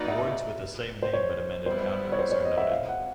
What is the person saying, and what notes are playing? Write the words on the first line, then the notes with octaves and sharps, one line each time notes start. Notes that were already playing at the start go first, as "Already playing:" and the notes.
Wards with the same name but amended boundaries are noted.
Already playing: A#3 D#4 F#4 B4 D5
E5
C5
C#5
G3 B3 E4 C5
C#5
C5
C#5
D#5
E5
F5
F#5